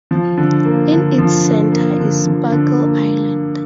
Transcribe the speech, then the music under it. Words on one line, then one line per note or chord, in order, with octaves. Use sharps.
In its center is Sparkle Island.
F3
D3
A#3
D3
F3
D3
A#3
D3
F3
D3
A#3